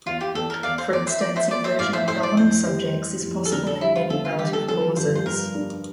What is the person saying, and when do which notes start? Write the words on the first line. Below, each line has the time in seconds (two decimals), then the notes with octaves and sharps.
For instance, inversion of nominal subjects is possible in many relative clauses.
0.06 E2 F4
0.21 G4
0.35 E2 A4
0.50 A#4
0.63 E2 D5 F5
0.78 C5
0.93 E2 D5
1.07 C5 E5
1.21 F3 D5
1.36 C5 E5
1.50 A#3 D5
1.64 C5 E5
1.79 A2 D5 F5
1.93 C5 E5
2.08 A2 C5 E5
2.23 D5
2.37 F2 C5
2.66 G3
2.94 E3
3.24 F2
3.45 A4
3.52 D3 A#4
3.67 A4
3.81 G3 E4
3.96 F4
4.10 D3 A4
4.25 F4
4.39 G3 G4
4.53 A4
4.68 F3 A4
4.96 G2 C5
5.15 C5
5.25 G2 A#4
5.55 D4